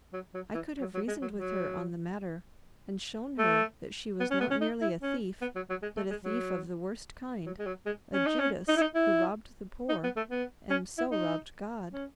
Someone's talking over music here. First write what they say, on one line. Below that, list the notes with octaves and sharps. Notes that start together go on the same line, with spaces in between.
I could have reasoned with her on the matter, and shown her that she was not merely a thief, but a thief of the worst kind, a Judas who robbed the poor, and so robbed God.
F#3
F#3
E3
F#3
F#3
G#3
F#3
F#3
A3
B3
C#4
B3
C#4
D#4
E4
C#4
B3
F#3
F#3
G#3
A3
G#3
F#3
F#3
G#3
F#3
G#3
C#4
D#4
C#4
D#4
E4
D#4
E4
D#4
B3
A3
B3
C#4
E4
D#4
C#4